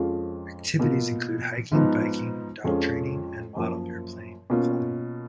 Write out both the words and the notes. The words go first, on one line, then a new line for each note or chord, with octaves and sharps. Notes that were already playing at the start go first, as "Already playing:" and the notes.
Activities include hiking, biking, dog training, and model airplane flying.
Already playing: F2 F3 G#3 C#4 F4
B2 A#3 F4
G#2 F3 B3 D#4
F2 F3 G#3 C#4 F4
F#2 F3 A#3
B2 A#3 C#4 F4